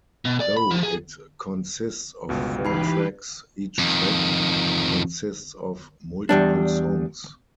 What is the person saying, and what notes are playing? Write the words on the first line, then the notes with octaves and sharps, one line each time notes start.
Though it consists of four tracks, each track consists of multiple songs.
B2
D5
B5
F3
G#4
G1 C#2 B2
E3 D#4 G4 B4 B5 C7
F2 D#3
E2 G3 D4